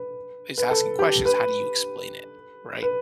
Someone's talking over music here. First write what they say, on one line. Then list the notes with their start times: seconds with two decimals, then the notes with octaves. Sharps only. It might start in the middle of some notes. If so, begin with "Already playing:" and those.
is asking questions, how do you explain it, right?
Already playing: B4
0.58 B4
0.71 A4
0.99 G4
1.25 B4
2.82 B4